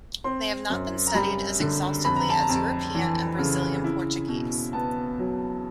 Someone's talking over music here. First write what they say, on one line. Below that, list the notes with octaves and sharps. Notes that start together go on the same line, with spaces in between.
They have not been studied as exhaustively as European and Brazilian Portuguese.
C4 C6
F#2
A#5
G3 B5
D3
F2 B5
A#5
A5
A#5
F2
E3
C#3
E4
B2
B3 A5
F#3